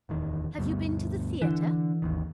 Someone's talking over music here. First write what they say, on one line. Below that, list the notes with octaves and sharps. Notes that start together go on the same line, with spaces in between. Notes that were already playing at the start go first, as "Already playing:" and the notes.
"Have you been to the theatre?"
D1 E2 D#3
D2 G2 B2
D3 E3
G#1 D#2 D#3